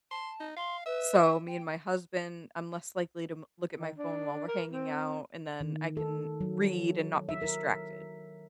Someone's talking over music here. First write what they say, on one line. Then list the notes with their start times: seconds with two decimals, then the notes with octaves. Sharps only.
So, me and my husband I'm less likely to m look at my phone while we're hanging out, and then I can read and not be distracted.
0.11 A5 C6
0.40 D#4
0.57 F5 C6
0.86 B4 E5
1.47 G5
3.79 D#3
3.98 D4
4.48 A#4
4.72 C4
5.61 D#3
5.97 A4
6.41 F#3
7.29 E5
7.42 A#4